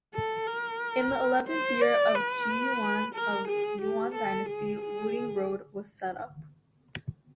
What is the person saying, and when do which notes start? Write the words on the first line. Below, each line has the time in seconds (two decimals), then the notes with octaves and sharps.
In the eleventh year of Zhi Yuan of Yuan Dynasty, Wuding Road was set up.
0.14 A4
0.47 A#4
1.48 C5
1.82 D5
2.15 B4
3.15 A#4
3.48 G#4
3.82 G4
4.15 A4
4.49 G#4
4.82 G#4